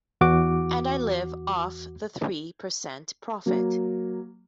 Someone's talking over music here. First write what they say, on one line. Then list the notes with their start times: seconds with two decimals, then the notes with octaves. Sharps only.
And I live off the three percent profit.
0.21 E2 F#4 D6
3.46 F#3 A#3